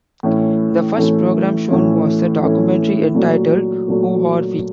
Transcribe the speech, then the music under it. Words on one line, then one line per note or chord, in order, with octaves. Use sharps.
The first program shown was a documentary entitled 'Who Are We?
A2 E3 A3 C#4 E4
A2 E3 A3 C#4 E4
A2 E3 A3 C#4 E4
A2 E3 A3 C#4 E4
A#2 F#3 A3
A#2 F#3 A3